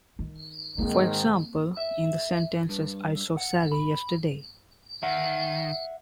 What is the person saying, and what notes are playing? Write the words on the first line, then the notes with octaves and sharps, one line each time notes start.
For example, in the sentences I saw Sally yesterday.
D#3
G#2 D#3 A#3 C4
E5
G2
F#5
B5
D#3 E5 F#5